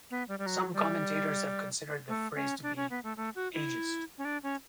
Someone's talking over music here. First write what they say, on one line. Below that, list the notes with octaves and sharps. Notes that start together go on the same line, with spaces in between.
Some commentators have considered the phrase to be ageist.
B3
G3
G3
F#3
G3
A3
C#4
D4
C#4
B3
A3
A3
F#4
E4
C#4
D4
C#4